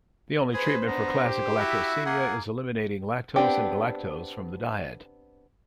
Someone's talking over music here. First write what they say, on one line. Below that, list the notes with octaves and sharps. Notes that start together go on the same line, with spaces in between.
The only treatment for classic galactosemia is eliminating lactose and galactose from the diet.
G#4 B4 C5
B3 D4 A#5
G4
E4 F#4 E5
A#3 G#4 F#5
B3 C4 D4 G4